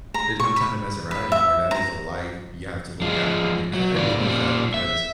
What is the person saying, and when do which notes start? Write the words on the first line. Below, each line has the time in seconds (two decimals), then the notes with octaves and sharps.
there's no time to mess around anymore, that is a life you have to look after, and I I realize that because
0.14 A#5
0.40 C#6
0.56 B5
1.11 B4
1.32 E5
1.71 A#5
3.02 F3 G#3
3.74 F#3
3.95 G#2 D5
4.19 A#2 G3
4.74 E5